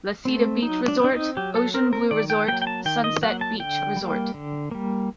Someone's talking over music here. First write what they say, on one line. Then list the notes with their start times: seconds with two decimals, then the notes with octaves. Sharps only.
Lacida Beach Resort, Ocean Blue Resort, Sunset Beach Resort.
0.25 A3 C4
0.63 F#3 D#4
0.88 D4
1.00 C4 D4
1.12 D#4
1.37 F#3 G4
1.55 A4
1.74 C4 A#4
1.93 A#4
2.11 D#3 D5
2.30 G5
2.48 F#3 A#3 G5
2.62 G5
2.67 A5
2.85 D#3 G5
3.04 D#5
3.23 F#3 A#3 F#5
3.41 A5
3.59 D3 G5
3.96 G3 A#3
4.34 D3
4.71 G3 A#3